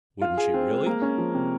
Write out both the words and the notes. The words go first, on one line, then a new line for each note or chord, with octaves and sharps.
"Wouldn't she really?"
F4
G#4
C4
G#3
A#3
C#4
F3
C3